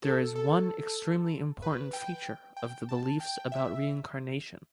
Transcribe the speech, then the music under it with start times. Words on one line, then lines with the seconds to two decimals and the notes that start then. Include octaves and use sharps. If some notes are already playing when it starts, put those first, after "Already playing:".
There is one extremely important feature of the beliefs about reincarnation.
0.04 A4
0.35 A4
1.62 B4
1.93 G5
2.57 G5
2.89 A5
3.20 G5
3.52 E5